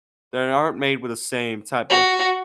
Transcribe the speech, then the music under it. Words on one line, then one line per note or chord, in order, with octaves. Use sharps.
They aren't made with the same type of,
F#4